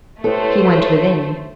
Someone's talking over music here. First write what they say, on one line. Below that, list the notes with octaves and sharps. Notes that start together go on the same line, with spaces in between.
He went within.
A3 B3 E4 G4 A4 C5 C#5